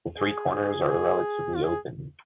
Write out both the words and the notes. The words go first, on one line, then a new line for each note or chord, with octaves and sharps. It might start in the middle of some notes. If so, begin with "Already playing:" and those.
The three corners are relatively open.
G#4
F4
G#4
F4
G#4
F4
G#4